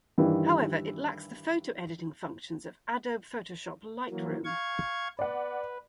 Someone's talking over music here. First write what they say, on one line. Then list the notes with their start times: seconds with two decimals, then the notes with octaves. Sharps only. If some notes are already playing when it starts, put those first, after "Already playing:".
However, it lacks the photo editing functions of Adobe Photoshop Lightroom.
0.18 G2 D#3 E3 G3
4.10 E3 F#3 A#3
4.45 F5 C#6 G#6
5.19 B4 D5 F#5